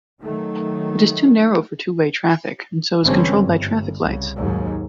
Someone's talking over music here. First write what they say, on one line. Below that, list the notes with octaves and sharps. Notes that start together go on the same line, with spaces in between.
It is too narrow for two-way traffic, and so is controlled by traffic lights.
D#3 F#3 A3
G#1 D3 E3 G3 C4 C#4
G1
C2 C#3
D#2 G#2 F#3